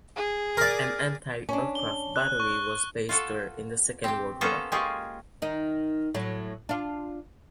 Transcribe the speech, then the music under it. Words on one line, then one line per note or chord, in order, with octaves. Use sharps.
An anti-aircraft battery was based there in the Second World War.
G#4
A#4 D5
C#4 D4
G7
F#6
C#6
F4 F#4 A4
C4 G4
A#3 B3 C#4 A4 C5 A#5
G#3 A#3 C#4 F4 G4 G#4
D#3 D#4
A2 F#3
D4 F4